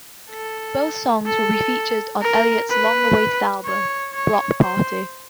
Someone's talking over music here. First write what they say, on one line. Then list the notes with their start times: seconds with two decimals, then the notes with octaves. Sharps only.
Both songs will be featured on Elliott's long-awaited album, "Block Party".
0.30 A4
1.26 A4
2.21 A#4
2.70 B4
3.65 C#5
4.13 C#5
4.61 C5